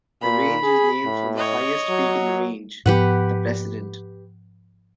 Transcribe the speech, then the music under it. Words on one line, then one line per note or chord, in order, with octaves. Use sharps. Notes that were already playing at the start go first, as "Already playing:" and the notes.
The range is named for the highest peak in the range, The President.
A#2 B5
G#4
A2
C#5 D#5
F#3
G#2 F3 B3 G4 B4 F#5